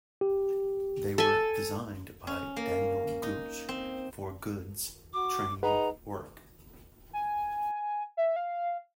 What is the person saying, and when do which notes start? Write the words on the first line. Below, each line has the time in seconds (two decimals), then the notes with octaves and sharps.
They were designed by Daniel Gooch for goods train work.
0.21 G4
1.18 A4 G#5
2.27 C#4
2.56 A#3
3.23 D#4
3.69 C4
5.13 F#4 D6
5.63 D#4 G#4 B4 F#5 A#5
7.13 G#5
8.17 E5
8.36 F5